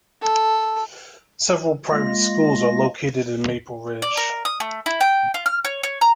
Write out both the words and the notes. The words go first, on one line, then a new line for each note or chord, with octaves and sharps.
Several private schools are located in Maple Ridge.
A4
G#3 A#3 F4 A#6
D5
A#4
D#6
A3
E4
G5
F4
F6
C#5
C#5
A#5